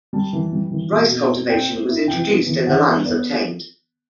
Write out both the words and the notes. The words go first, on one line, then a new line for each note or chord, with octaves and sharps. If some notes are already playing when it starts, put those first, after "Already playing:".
Rice cultivation was introduced in the lands obtained.
G3 A5
E3
G3
E3
B2
B2
C4
C4 G5
C4
E4
C3 G5
B3
E3
E3 F#5
B3 E5
B3 D5